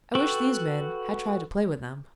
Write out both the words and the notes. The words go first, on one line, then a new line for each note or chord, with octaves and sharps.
I wish these men had tried to play with them.
F#4 A4 B4 G5 C#6